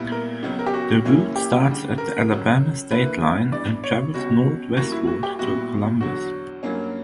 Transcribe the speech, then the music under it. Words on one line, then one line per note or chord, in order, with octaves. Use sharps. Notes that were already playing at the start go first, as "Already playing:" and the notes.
The route starts at the Alabama state line, and travels northwestward to Columbus.
Already playing: A#2 G3 B3 E4
A#4
C#2 C#3 F#3 B3
A#4
G4
F#4
F#2 E3 A#3 C#4 E4
G4
D2 C#3 G3
A#4
C#2 C#3 F#3
D2 D3 A#3 E4 B4
G2 E3 G3 B3 D5
C#5
C#2 B2 G3 C#4 F#4
F#2 E3 G3 A#3 F#4
E4
F#4
G4
A#2 G3 B3 E4 F#4
E2 D3 F#3 F#4
G2 F#3 A#3 C#4